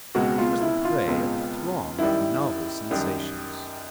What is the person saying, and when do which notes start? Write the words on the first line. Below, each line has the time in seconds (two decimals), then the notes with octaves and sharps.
He was the prey of a throng of novel sensations.
0.15 C#2 B2 G#3 C4 F#4
0.38 F4
0.61 E4
0.85 F4
1.07 C#2 B2 G#3 C4
1.99 F#2 D#3 G3 E4
2.91 F#2 D#3 G3